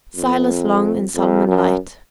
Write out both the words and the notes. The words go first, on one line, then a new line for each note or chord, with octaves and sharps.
Silas Long and Solomon Light.
F2
F2
F#2